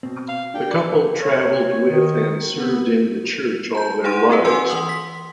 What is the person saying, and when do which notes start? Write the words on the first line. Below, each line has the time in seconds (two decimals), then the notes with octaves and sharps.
The couple traveled with and served in the church all their lives.
0.03 B2 C4
0.28 F5
0.54 D4 G4 A#4 G5
0.71 D5
1.23 C#5
1.88 D#3
2.54 B3
3.75 A5 G6
4.04 D#4 G#4 F#5 C6 D7 D#7
4.30 C4 F#4 A4 B4
4.45 F#4 F#5 G#5 C6 E6
4.69 E3 C6 D#6 F#7
4.89 B6